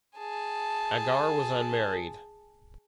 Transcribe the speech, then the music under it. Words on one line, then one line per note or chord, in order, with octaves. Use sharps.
Agar was unmarried.
G#4 A5